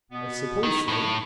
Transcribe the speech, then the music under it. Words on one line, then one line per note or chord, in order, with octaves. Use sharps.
I suppose so.
B2 B3
D#3 D#4 E4
A2